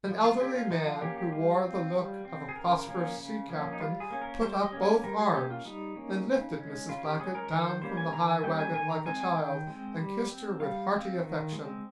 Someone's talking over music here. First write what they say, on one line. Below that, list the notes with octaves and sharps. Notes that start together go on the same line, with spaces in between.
An elderly man who wore the look of a prosperous sea-captain put up both arms and lifted Mrs. Blackett down from the high wagon like a child, and kissed her with hearty affection.
F3
F4
A#3 C#4 G4
F4
F3 D#4
F4
A#3 C#4 G4
G4
G3 F4
C4
G3
C4
G#4
C#3 A#4
F3 A#3 C#4
C#3
F3 A#3 C#4
D#4
G3 F4
G#4
A#3 C#4
A#4
G3 C5
D#5
A#3 C#4
G#5
G3 A#4
G#4
A#3 C#4 G4
F4
G3 D#4
A#3 C#4
C#3
G#3 C#4
C#3 F4
G4
G#3 C#4 G#4
A#4
D#3 A#4
C5
G3 A#3 C#4 C5
G#5
D#3 A#5
G#5
G3 A#3 C#4 G5
G#5
D#3 G#5
A#5
G#3 C4 G#5
G#5
D#3 G5
G#3 C4
G3
C4
G3 F5
C4
D#3
G#3 C4